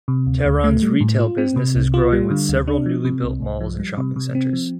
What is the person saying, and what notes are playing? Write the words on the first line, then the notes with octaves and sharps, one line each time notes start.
Tehran's retail business is growing with several newly-built malls and shopping centers.
C3
D2
D2
A3
G3
A2
F4
C4
C3
C2
F4
G3
D3
D2
D4
F3
C3
C2
C2
F3
G3
C3
C3
C4
F3